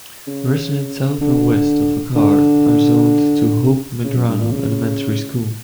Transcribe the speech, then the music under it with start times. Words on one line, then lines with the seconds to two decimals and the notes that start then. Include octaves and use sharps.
Residents south and west of Akard are zoned to Hope Medrano Elementary School.
0.27 C#3
1.21 D3
2.16 D3
4.04 C#3
4.16 F#2
4.28 G2
4.40 A#2
4.51 C#3